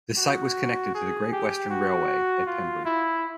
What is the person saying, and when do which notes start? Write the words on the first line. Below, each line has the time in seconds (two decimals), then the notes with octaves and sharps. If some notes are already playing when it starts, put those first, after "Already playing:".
The site was connected to the Great Western Railway at Pembrey.
0.18 F#4
0.94 G#4
1.33 G4
1.70 F#4
2.47 F4
2.85 E4